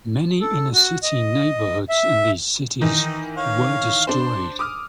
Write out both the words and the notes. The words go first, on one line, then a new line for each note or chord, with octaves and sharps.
Many inner city neighborhoods in these cities were destroyed.
A4
F#4
D#5
E5
D#3 E3 D#4
C#5 F5
D4 C5 C6
D6 D#6 F6